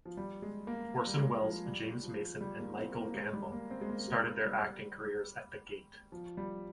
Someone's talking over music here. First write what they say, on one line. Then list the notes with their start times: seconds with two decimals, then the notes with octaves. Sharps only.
Orson Welles, James Mason and Michael Gambon started their acting careers at The Gate.
0.05 F3
0.17 G3
0.42 G#3
0.67 A#3
1.07 G3
1.16 G#3
1.41 F3
1.66 G3
2.03 F3
2.41 G3
2.59 A#3
2.78 C4
2.96 A#3
3.07 A#3
3.14 G#3
3.33 G3
3.52 A#3
3.70 C4
3.81 G#3
3.90 A#3
4.08 G#3
4.45 G3
6.12 F3
6.37 G3